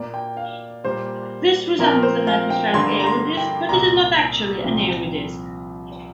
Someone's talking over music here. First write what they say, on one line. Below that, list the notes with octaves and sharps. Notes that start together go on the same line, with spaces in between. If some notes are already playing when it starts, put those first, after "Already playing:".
This resembles an atmospheric Airy disc but is not actually an Airy disk.
Already playing: A#2 A#3 D5
G5
F5
A#2 G3 A#3 C5
A#2 F3 C4 A#4
C5
F5
G5
G2 D3 A#3 C6
A#5
C6
G5
C2 A#2 A#3 A#5
C2 A#2 F3 C4